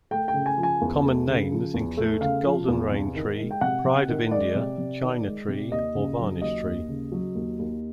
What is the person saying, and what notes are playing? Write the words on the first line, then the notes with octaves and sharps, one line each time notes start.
Common names include goldenrain tree, pride of India, China tree, or varnish tree.
A3 G5
G5
C#3
G#5
F3
G#5
E2
A3
C#3
F3
E2
A3
C#3 F5
F3
E2
C3
D#3
G#3
G5
C3 F#5
C3
D#3
G#3 D5
C3
C3
D#3
G#3
C3
D#2 D#5
C#3
F#3
D#2 D#5
D#2
C#3
F#3
D#2
D#2